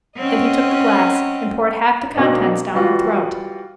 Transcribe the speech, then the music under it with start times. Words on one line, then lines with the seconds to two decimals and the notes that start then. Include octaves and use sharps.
Then he took the glass, and poured half the contents down her throat.
0.18 C4 C#4 D#5 F#5
2.15 B2 A#3 C4 D4 D#4
2.74 E3 G3 F4 F#4